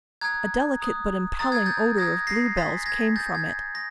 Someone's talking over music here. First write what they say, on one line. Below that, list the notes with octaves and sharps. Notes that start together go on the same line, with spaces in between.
A delicate but impelling odor of bluebells came from it.
A#5 D#6 F#6 G#6
A#5 D#6 F#6
A#5 D#6 F#6 A6
G#6
G6 A6
A#5 D#6 F#6 G#6 A#6
A#6 C7
G#5 C6 D#6 A6 B6
G#6 A#6
G#5 C6 D#6 G6 A6
G6
G#6
C6 D#6 G#6 A#6